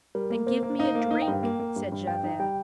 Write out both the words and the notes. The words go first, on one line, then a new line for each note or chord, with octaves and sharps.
"Then give me a drink," said Javert.
G3 A#4
A#3
A#3 C5
A#3
D#4 F5
A#3
F5
D#4
G5
G2
A#3
A#3
G2
G2
G2 G5
D#4
G3 G5